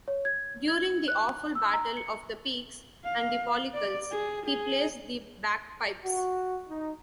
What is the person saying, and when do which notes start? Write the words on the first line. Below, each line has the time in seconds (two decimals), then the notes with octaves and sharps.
During "The Awefull Battle of the Pekes and the Pollicles", he plays the bagpipes.
0.08 C#5
0.25 G#6
0.68 G#6
1.08 F#6
1.55 E6
1.73 A#5
1.97 C#7
3.04 F5
3.74 D5
4.11 G#4
4.46 G#4
6.04 F#4
6.69 D#4